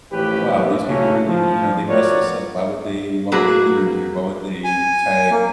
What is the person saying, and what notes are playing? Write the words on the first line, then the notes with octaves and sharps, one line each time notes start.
"Wow, these people really you know, they messed this up. Why would they why would they litter in here? Why would they tag
A1 D#2 F3 C#4 G4 B4
D#2
C#3 E3 A3 A#3 C#4 F#4
F3
F3 B3 F#4 A#4 C#5 D5
F#3 A#3 F#4 G#4 B4
G#5
A#3